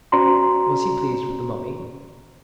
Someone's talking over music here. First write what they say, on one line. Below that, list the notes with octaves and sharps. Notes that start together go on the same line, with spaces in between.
"Was he pleased with the mummy?"
C#4 F#4 C5 D5 A#5 C6